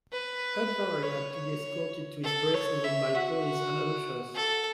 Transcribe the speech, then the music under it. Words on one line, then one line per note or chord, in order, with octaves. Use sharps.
Udvari had to be escorted to his dressing room by police and ushers.
B4
C#5
C#5
A4
C#5
E5
F#4
A4